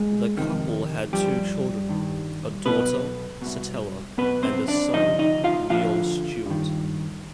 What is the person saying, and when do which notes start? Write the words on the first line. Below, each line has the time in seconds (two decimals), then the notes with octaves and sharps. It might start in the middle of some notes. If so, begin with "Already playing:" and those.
The couple had two children: a daughter, Satella, and a son, Leon Stewart.
Already playing: G#3 G#4
0.37 F2 C3 D#3
1.13 G2 F3 G3 G4
1.89 G2 D#3
2.65 B1 B2 B3 B4
3.42 C2 B2
4.17 B1 B2 B3 B4
4.43 C4 C5
4.68 D4 D5
4.93 D2 C3 F3 D#4 D#5
5.19 D#4 D#5
5.44 F4 F5
5.70 D2 D3 F3 F4 F5
6.46 G2 D#3